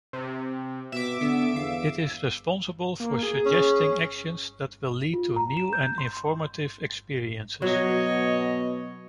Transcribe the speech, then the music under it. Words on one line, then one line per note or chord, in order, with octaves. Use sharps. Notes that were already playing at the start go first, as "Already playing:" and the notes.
It is responsible for suggesting actions that will lead to new and informative experiences.
C3
B2 E5 D6
D3 B3
E2 F5
A#3
G#4
C#4
F4
A#5
E7
G6
C6
C6
B2 F#3 C#5 D#5